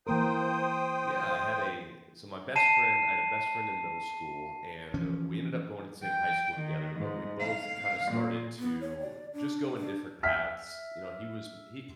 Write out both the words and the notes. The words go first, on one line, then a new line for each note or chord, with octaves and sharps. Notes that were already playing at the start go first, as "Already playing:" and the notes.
Yeah, I had a so my best friend I had a best friend in middle school, and we ended up going to the same high school together, but we both kinda started to just go in different paths. You know, he was he
E3 A#3 A#4 C5 G5 D#6
A5 C7 D#7 E7
E3 F3 C#4
G5
D#3
G#2
F5
A#2
B3
C#5
D5
D4
D4
E5 F6 B6